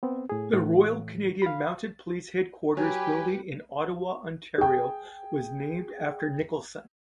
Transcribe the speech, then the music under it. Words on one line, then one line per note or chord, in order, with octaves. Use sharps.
The Royal Canadian Mounted Police headquarters building in Ottawa, Ontario was named after Nicholson.
B3 C4
A2 G#4
A2 E3
F5 B5
F#3 G4 B4 G#5
G#4 G5